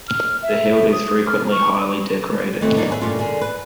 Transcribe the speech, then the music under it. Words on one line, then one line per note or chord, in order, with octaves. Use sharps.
The hilt is frequently highly decorated.
F6
E5
D#6
F6
C#6
D#2 E3 A3 C4 F#4
D#3 F#3 A#3 B3 D4 D#4
G#4 B4 E5
G2 A#2 E3 A3 C#4 F4
D3 G#4 A#4
B4